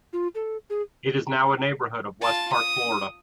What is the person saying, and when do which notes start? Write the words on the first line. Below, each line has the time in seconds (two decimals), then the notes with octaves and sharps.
It is now a neighborhood of West Park, Florida.
0.13 F4
0.35 A4
0.70 G#4
2.21 F4 A5
2.53 D#6